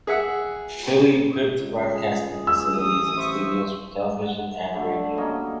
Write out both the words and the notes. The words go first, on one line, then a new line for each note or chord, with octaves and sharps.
Fully equipped broadcasting facilities and studios for television and radio.
G#4 E5 F#5
C#2
G#4
E6
A1 D#6
C5 E5 C#6
F#5
D3 G3 A3
F#3 A#3 C#4 D#5